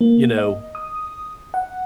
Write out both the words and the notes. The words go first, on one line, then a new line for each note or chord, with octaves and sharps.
you know,
A#3
D#5
D#6
F#5